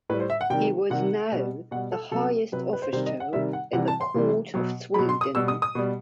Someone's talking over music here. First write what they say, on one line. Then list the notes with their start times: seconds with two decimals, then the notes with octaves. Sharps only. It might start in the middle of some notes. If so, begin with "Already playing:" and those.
He was now the highest official in the court of Sweden.
0.09 A2 B4
0.13 G3
0.20 C5
0.30 E5
0.41 F#5
0.50 C3 D#3 G3 G5
0.90 C3 D#3 G3 F#5
1.32 B2 G3
1.71 B2 F#5
1.75 G3
1.92 A4
2.11 C3 F#3 A4
2.52 C3 F#3 B4
2.73 B4
2.82 C5
2.93 C3 D#3 G3 C5
3.06 D#5
3.20 F#5
3.33 C3 D#3 G3 E5
3.53 F#5
3.73 C3 E3 G3 F#5
3.88 A5
4.01 C6
4.14 C3 E3 G3
4.54 B2 F#3
4.94 B2 F#3 B5
5.09 C6
5.21 D#6
5.35 B2 G3 E6
5.48 D#6
5.62 D#6
5.75 B2 G3